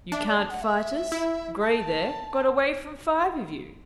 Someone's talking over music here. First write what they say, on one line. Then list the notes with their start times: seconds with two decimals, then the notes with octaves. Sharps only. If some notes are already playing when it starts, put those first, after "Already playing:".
You can't fight us--Gray, there, got away from five of you.
0.12 D4 E5
0.25 D5
0.37 A5
0.50 F#5
0.62 E5
1.12 E4
1.61 A5